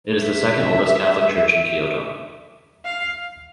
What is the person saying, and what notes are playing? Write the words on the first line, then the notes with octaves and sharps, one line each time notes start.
It is the second oldest Catholic Church in Kyoto.
E5
F5